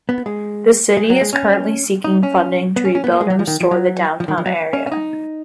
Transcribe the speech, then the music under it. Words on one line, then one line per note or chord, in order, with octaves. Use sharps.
The city is currently seeking funding to rebuild and restore the downtown area.
B3
G#3
G#3
F#3
G#3
C#4
D#4
C#4
B3
C#4
C#4
B3
A#3
G#3
F#3
F3
D#3
F3
F#3
F3
D#3
F3
F#3
C#4
C#4
D#4